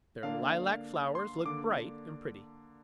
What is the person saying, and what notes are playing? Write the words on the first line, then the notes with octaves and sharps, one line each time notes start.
Their lilac flowers look bright and pretty.
D3 A#3 D4 F5
C6
D3 A#3 D4 D6